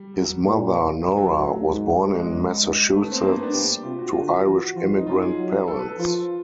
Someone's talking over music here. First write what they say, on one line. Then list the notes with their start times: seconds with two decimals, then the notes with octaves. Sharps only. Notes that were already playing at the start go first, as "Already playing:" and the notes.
His mother, Nora, was born in Massachusetts to Irish immigrant parents.
Already playing: G3
0.14 F#3
0.45 A#2
1.17 F#3
1.27 F#3
1.38 A2
1.69 G#2
2.14 G#3
2.29 F#2
2.61 G2
2.91 G#2 A3
3.02 B3
3.12 C4
3.22 G2 A#3
3.32 B3
3.43 D4
3.52 G2 G4
3.83 C3 F4
3.99 F#4
4.11 D3 F4
4.22 F#4
4.45 E3 F#4
4.60 F#4
4.76 F3 F4
4.97 D#4
5.07 F#3 F4
5.22 G#4
5.37 F#3
5.68 A4
5.79 B4
5.88 A4
5.98 F3 F4